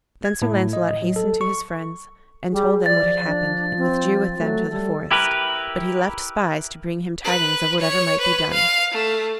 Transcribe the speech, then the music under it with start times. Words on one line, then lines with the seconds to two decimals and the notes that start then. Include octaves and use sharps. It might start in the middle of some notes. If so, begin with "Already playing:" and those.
Then Sir Launcelot hastened to his friends, and told them what had happened, and withdrew with them to the forest; but he left spies to bring him tidings of whatever might be done.
0.25 G#6
0.42 A2
0.73 D#5
1.02 F#3
1.16 A4
1.41 C#6
2.52 G3 G#4
2.86 F3 D5 A6
3.27 D4
3.78 C4
4.39 F#3 A3
4.70 G3 A4
5.11 E4 G4 A#4 B4
7.24 B4
7.80 C#5
8.20 B4
8.53 F5
8.92 A3